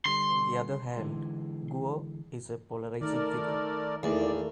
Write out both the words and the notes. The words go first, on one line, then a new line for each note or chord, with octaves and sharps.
On the other hand, Guo is a polarizing figure.
D3 G3 C6
D3 E3 G#3
D#3 A3 A#4 D5
E2 D#3 A3 A#3 D5